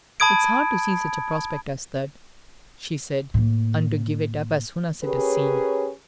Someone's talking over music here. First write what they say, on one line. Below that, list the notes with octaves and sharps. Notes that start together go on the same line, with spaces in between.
"It is hard to see such a prospect as that," she said, "and to give it up as soon as it is seen."
A5 B5 D#6 G#6 D7
A2 A#3
C#4 G4 G#4 A#4 B4 C#5